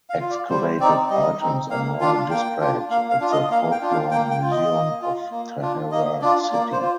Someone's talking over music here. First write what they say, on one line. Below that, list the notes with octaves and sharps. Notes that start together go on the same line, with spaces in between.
Excavated items are now displayed at the Folklore Museum of Tahara City.
F5
F4
D5
G3 C5
C4 D#4 D5
G3 D#5
C4 D#4
A#3 F5
D4 F4 F5
A#3 G5
D4 F4
A#3 F5
F5
D4 F4
D#5
A#3 F5
G5
D4 F4
F5
A#3 G5
G5
F4
D#5
A#3
F4
A#3
D4 F4
A#3 D#5
D4 F4 D5
A#3 D5
C5
F4